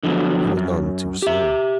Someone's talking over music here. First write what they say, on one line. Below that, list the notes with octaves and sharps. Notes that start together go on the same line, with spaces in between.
He was none too soon.
D3 F3 F#3 B3
F#2
G4 E5